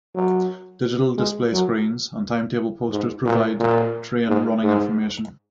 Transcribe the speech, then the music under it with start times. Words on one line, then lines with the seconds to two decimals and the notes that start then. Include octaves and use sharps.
Digital display screens and timetable posters provide train running information.
0.15 F#3
1.18 G#3
1.52 F#3
2.91 G#2
3.25 A#2
3.59 A#2
4.28 G#2
4.63 G#2